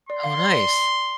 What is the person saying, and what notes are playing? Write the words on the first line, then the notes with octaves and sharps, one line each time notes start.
Oh, nice.
D5 C6
F5
D5
D5